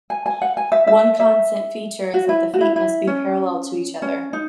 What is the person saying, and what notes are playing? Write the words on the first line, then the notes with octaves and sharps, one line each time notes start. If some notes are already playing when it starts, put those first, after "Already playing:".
One constant feature is that the feet must be parallel to each other.
G#5
G#5
F#5
G#5
E5
E5
E5
F#4
E4
F#4
E4
E4
C#4
C#4
D#4